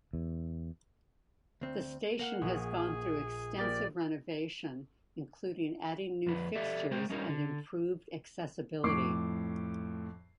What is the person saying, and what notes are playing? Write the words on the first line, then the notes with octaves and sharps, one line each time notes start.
The station has gone through extensive renovation including adding new fixtures and improved accessibility.
E2
D2 C4
A#3 F5 F#5 F#6
A#1 G#4
F3 A#3 G4 D5
F2 F3 B4
G4 A4 D5 E5
G#3 A#4 C5 G5
G3 C#4 D#4 G4 A#4 C#5
D3
F2 A2 C#6 D6 C7